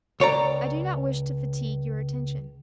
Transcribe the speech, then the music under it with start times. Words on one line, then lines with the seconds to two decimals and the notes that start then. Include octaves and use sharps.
I do not wish to fatigue your attention.
0.20 C#2 C#5 D5 A#5